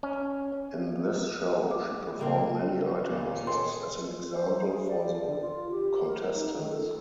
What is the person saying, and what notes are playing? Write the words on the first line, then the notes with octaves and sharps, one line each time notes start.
In this show, she performed many item numbers as an example for the contestants.
C#4
D6
C#3 G3 A#3 C4
C#2 A#2
G#4 A4 G5 C6
C5
G#4
D5
D3
F4
G4
A#4
D#4
D#3
A4